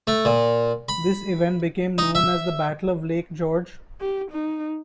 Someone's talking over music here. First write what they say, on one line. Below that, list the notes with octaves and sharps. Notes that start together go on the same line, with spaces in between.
This event became known as the Battle of Lake George.
A3
A#2
B5
D#4
E5
G4
D#4